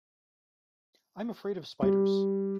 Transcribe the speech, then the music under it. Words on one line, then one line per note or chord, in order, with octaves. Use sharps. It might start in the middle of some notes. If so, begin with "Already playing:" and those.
I'm afraid of spiders.
G3